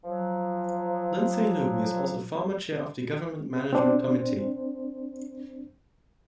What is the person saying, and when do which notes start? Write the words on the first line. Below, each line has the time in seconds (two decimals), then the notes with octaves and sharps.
Lindsay Luby is also a former Chair of the Government Management Committee.
0.03 F3 F#3
3.73 C4 D4 C5